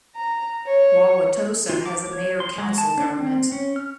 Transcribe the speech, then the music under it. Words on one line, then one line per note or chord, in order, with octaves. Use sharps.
Wauwatosa has a mayor-council government.
A#5
C#5
F4
D6
C#5
C6
G#3
A5
D4
C4
C#4
F6